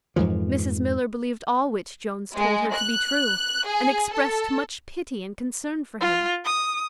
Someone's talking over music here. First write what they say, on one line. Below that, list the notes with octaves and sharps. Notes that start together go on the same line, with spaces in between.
Mrs Miller believed all which Jones told her to be true, and exprest much pity and concern for him.
F2 G#2 E3 F3
G#3
F#6
G#4
A4
F4
D#6